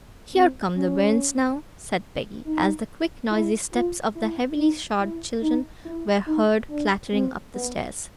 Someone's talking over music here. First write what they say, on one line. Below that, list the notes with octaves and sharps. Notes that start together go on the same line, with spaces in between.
"Here come the bairns now," said Peggy, as the quick, noisy steps of the heavily-shod children were heard clattering up the stairs.
C4
C#4
D#4
E4
F4
E4
D#4
E4
D#4
E4
D#4
D4
C4
B3